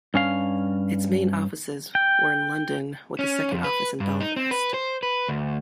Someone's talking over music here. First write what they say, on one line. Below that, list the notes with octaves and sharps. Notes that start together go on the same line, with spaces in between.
Its main offices were in London, with a second office Belfast.
G2 C#4 F5
G5
C#4
F2
B4
G2
D#4
C4
B4
C5
B4
D2